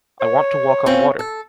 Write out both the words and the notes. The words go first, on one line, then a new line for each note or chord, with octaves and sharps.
I want to walk on water!
C#5
C4 C#4 F4
A4